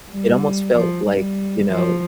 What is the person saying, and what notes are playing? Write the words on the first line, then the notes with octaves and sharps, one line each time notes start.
it almost felt like, you know,
G3
F3
G3
F3